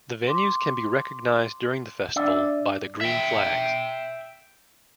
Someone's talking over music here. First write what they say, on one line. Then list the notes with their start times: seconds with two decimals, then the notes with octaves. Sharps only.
The venues can be recognised during the festival by the green flags.
0.27 C6 D6
2.16 D4 D5 E5
3.01 E5 G5